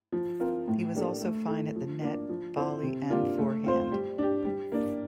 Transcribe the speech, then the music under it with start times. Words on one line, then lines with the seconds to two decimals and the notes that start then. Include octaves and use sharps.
He was also fine at the net, volley and forehand.
0.12 F3
0.40 C4 F4 A#4
0.68 A2
0.95 G3 A#3 D4 A4
1.22 A3
1.48 E4 A4
1.76 F3
2.01 A#3 D4
2.29 F3
2.56 C4 E4 A4 C5
2.83 C3
3.10 G3 A#3 D4 F4
3.38 A3
3.64 C4 F4 C5
3.92 G3
4.18 D4 G4
4.45 G3
4.72 A#3 D4